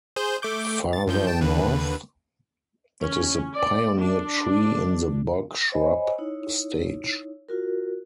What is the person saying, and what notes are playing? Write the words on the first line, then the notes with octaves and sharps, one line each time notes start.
Farther north, it is the pioneer tree in the bog shrub stage.
G#4 C5 G6
A3 D6 G6
A6
F#2 F3 G6
G5 A5
D#2 D3 B4
C#4
D5
D4
C5 C#5 D#5 G#5 B5
D#4 E4 C#5
F4 F#4 A#4